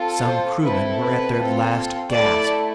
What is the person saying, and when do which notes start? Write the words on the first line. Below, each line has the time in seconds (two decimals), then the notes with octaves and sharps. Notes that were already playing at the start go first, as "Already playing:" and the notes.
Some crewmen were at their last gasp.
Already playing: C4 F4 A4
0.26 C5
0.64 C4 E4 A4 B4
1.01 B4
1.38 C4 F4 A4
2.13 A3 E4 A4 D5